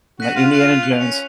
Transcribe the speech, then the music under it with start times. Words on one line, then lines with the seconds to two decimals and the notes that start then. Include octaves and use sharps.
My Indiana Jones.
0.20 F#4 F#6 B6 D#7 F#7
0.36 F4
0.51 F4 F#6 C#7 F#7
0.83 F#6 C#7 F7
0.99 C#4